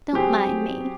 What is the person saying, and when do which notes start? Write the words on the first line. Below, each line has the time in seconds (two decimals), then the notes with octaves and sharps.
"Don't mind me."
0.13 F#3 C4 G4 G#4